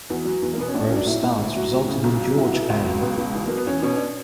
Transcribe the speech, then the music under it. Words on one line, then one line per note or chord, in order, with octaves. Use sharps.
Rowe's stance resulted in George A.
E2 F#4
F#3
E2
A#3
B2 B3
C#4
A#1 D4
C#4
F#3
D4
A#1 E4
A#2
D2
F#3
D2
C#3
B1
F#3
B1 E4
F#4
B2 E4
C#2
F#3
C#2 B3
B2
E2
F#3 A#3
B3
E2 C#4
B2 C#4
D4